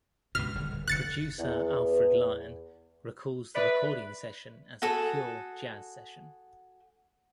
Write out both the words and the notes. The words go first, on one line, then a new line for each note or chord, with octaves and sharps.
Producer Alfred Lion recalls the recording session as a "pure" jazz session.
C#2 G2 B2 F6
D#1 D3 G3
D1
F1 D2 D3 F#6 A6 C#7
E2
B4 D5 E5
F#4 G#4 A4